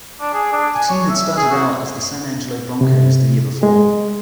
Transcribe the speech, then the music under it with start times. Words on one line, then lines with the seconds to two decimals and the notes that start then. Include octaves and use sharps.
The team had started out as the San Angelo Bronchos the year before.
0.21 D4
0.34 G#4
0.53 D4
0.75 G#5
0.89 C#5
1.10 E5
1.36 G#4
1.51 F#4
2.81 C3
3.63 G#3